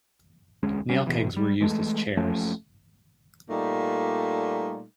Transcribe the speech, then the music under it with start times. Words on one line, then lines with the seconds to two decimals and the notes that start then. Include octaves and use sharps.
Nail kegs were used as chairs.
0.63 E1 D2 G#3 C#4
0.89 F#3 G3 C#4
1.07 D#1 B2 E3
1.37 G3
1.60 E3 G#3 A3
2.17 F#1 F3 A3 C#4
3.49 A#2 G3 A3 D#4